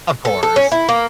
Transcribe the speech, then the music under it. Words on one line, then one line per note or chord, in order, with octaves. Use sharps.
Of course.
A4
A4
C#4
E4
A#3